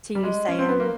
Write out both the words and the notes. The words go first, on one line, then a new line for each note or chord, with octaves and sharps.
to you saying,
G3
G#3
C#4
C4
B3
A#3